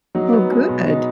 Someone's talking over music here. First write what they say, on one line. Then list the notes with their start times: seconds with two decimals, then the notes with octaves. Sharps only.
Oh, good.
0.15 F#3 D#4
0.33 B3
0.51 G#3
0.69 B2
0.87 D#4